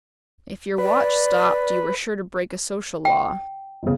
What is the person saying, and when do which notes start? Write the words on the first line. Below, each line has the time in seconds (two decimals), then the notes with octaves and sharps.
If your watch stopped you were sure to break a social law.
0.78 B4 D5
3.05 G5
3.83 G1 E2 C#3